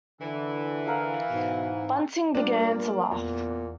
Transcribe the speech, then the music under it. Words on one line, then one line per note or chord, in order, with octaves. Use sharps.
Bunting began to laugh.
D3 E3
A#4 F5 F#5
G#2 B2
A#2 G3 A#3 D4 A#4
E2 A#2 B3